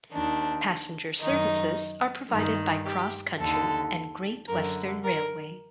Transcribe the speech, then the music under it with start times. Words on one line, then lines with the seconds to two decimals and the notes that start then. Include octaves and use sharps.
Passenger services are provided by CrossCountry and Great Western Railway.
0.13 D#2 D#3 D4
1.22 F#2 D#3 D#4
2.31 G2 D#3
2.85 G4
3.40 D#2 D3 A4
4.48 F#2 D3 A#4
5.04 A#4